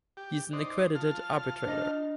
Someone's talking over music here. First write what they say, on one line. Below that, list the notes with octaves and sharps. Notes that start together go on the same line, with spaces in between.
He is an accredited arbitrator.
G4
D#4 C5 D5
F4 A5 F6
D4 D#5